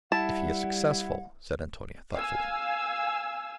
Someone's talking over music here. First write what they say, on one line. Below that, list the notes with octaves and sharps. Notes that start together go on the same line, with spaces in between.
"If he is successful!" said Antonia, thoughtfully.
G3 E4 E5 F#5 A5
F5 G#5 E6